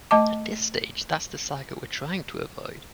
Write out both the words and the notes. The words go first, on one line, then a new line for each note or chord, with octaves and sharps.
At this stage that's the saga we're trying to avoid.
A3 D#5 A5 D6